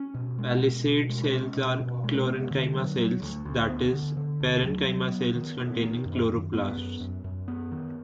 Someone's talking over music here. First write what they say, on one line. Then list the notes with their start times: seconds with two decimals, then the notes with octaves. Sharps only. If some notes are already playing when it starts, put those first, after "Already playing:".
Palisade cells are chlorenchyma cells, that is, parenchyma cells containing chloroplasts.
Already playing: C#4
0.15 B2
0.39 G#3
0.62 B2
0.85 B2
1.09 G#3
1.33 C#4
1.57 B2
1.80 B2
2.04 G#3
2.27 B3
2.51 D3
2.75 F#3
2.98 F#3
3.22 D2
3.45 D2
3.70 B3
3.93 D3
4.17 D3
4.41 D2
4.64 F#3
4.88 F#3
5.11 B3
5.35 D#3
5.58 B3
5.83 D#3
6.06 F#2
6.30 F#2
6.53 B3
6.77 F#2
7.01 F#2
7.24 F#2
7.48 B3
7.72 D#3